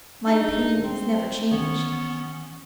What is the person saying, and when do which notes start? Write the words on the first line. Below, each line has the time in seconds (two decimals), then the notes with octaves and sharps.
My opinion has never changed.'
0.27 D4 D#4 G#4
0.84 C4
1.16 C5
1.51 D#3 E3 B3 C#4